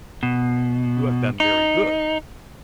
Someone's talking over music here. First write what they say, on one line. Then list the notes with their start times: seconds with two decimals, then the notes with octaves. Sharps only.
You have been very good.
0.23 B2
1.40 D#4